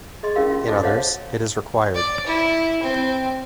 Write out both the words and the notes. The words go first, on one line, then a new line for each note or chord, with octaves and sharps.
In others it is required.
G#4 D#5 C6
C#4 E4 G4 A#4 F5 C6
F4
F4 A4 D#5 A5 D6
F#4 C5 C#5 D#5 F5 F#5
D5
E4
C4